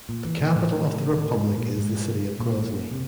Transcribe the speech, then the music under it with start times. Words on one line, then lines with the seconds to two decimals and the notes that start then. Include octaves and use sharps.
The capital of the republic is the city of Grozny.
0.09 A#2
0.25 E3
0.40 A#2
0.56 A2
1.16 A2
1.37 G#2
1.58 A#2
1.78 G#2
2.40 A#2
2.92 C3